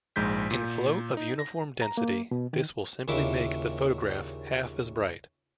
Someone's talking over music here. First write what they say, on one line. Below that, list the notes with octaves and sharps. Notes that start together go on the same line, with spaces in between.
In flow of uniform density this will simply make the photograph half as bright.
A#1 G#2 G#3 G6 B6
A#2
D#4
A#6
A#5
A#3
B2
D#3
D#2 A#2 C#3 E4 E5 D6